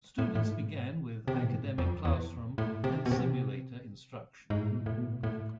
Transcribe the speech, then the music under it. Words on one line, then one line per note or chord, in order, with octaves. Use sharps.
Students began with academic classroom and simulator instruction.
A2
A2
G#2
C3
B2
A2
G#2
F2
E2
A2
C3
B2
C3
G#2
A2
B2
A2
B2
A2